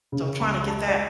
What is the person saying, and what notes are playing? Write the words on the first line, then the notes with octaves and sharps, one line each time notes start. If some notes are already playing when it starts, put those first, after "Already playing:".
So, trying to get that
C#3
C#2 B5
G#3 A5
D5